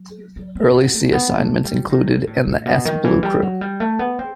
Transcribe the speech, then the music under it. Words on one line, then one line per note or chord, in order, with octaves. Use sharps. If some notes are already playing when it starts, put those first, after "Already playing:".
Early sea assignments included and the s blue crew.
Already playing: F#3
F#3
C4
B3
A3
B3
A3
G3
D#3
B2
A2
A2
B2
D#3
E3
G3
F#3
G3
A3
B3
C4